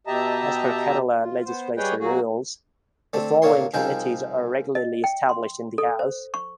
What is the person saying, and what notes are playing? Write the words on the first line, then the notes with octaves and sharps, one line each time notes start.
As per Kerala Legislature Rules, the following committees are regularly established in the house.
B2 G4 D#5 E5 A5 A#5
F4
B3 C5
G3 G#4 B4 C#5 D#5 G5
F#3 A#3 F#4 G#4
D3 A3 C4 D4
A#2 D3 A#3 C#5 C6
C2 F3 C4 D#4 G#4 G5
D#5
G5
C6
A4
C5
C#6